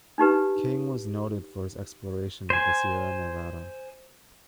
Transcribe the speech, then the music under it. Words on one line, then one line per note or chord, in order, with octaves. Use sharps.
King was noted for his exploration of the Sierra Nevada.
D4 D#4 G4 B4
C5 G#5